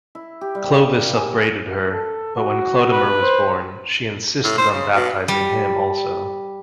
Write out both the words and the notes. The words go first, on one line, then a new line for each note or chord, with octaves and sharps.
Clovis upbraided her; but when Chlodomer was born, she insisted on baptising him also.
E4
G4
G3
D5
A#3
G#5
A4
F#4
B4
C5
A2
C5
C#3
B2
G3